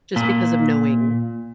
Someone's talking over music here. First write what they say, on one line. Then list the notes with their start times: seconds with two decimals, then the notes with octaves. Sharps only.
just because of knowing
0.16 A#2